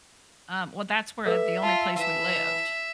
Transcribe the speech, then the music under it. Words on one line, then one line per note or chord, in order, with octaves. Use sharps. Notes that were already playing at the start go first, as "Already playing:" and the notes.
Um, well, that's where, uh, the only place we lived.
A4 B4 E5
F4 A5
E3 E5